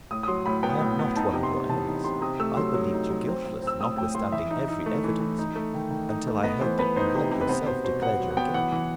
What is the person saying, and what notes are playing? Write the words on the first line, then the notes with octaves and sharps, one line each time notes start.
I am not one of your enemies, I believed you guiltless, notwithstanding every evidence, until I heard that you had yourself declared your guilt.
A2 D#6
D#6
F#3 C6
A2 B5
B3 G5
A2
B3
D#4 A5
C3
C6
C3
E3 A5
D#4
C3 C6
C3 D#6
A3 E6
F#3 C6
F#3
D#4
F#3
C4
A2
C4
E6
A2 D#6
A2 G5
A2 C6
E3 E5
D#4
D#4
A3
E3
E3
D#4
A3
D#3
D#3
D#4
A3
B3 D#5
E3 C5
B3 B4
D#4 C5
C3
C3
B4
B3 C5
B2 C5
B2 C5
B3 F#5
F#3
F#5
B3 G5
E3 F#5
E3